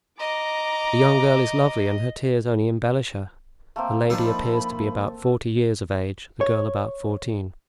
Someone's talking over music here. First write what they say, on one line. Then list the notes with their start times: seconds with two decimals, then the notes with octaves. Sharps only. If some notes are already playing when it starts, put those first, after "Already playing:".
The young girl is lovely and her tears only embellish her; the lady appears to be about forty years of age, the girl about fourteen.
0.19 D#5 A#5 D6
3.76 A3 A#3 C4
4.10 F3 A#3 D4 D#4 A4 B5
6.41 C#5